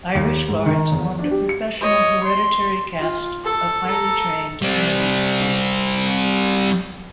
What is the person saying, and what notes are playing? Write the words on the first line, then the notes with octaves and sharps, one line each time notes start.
Irish bards formed a professional hereditary caste of highly trained, learned poets.
D#2
G#2
D#3
E2
D4
G4
C#7
C#5 D#5
C6
F4
A4
A4 A#5
G3 C4